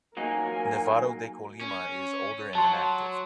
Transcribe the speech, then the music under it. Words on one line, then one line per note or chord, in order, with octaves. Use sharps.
Nevado de Colima is older and inactive.
F#3 A#3 D#4 A#4 G#5
C#4
F#3 A5 C6